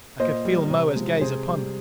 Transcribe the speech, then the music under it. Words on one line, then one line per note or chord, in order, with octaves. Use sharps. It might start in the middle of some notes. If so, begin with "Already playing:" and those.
I could feel Moa's gaze upon me.
A#2 C5 D#5
G3
C3
F3 G#3
C3 G#4 C5
G3